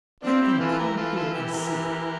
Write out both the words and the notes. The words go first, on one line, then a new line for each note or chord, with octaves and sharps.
Let them come here and see.
C4 D4 F4
E4 G4
E3 F4 A4
A4
G4 A#4
E3 F4 A4
F4 A4
E4 G4
G4 A#4